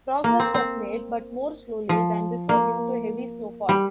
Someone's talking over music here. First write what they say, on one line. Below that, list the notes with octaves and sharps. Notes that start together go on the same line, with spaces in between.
Progress was made, but more slowly than before due to heavy snowfall.
A#3
C4
C4
F3
A#3
G3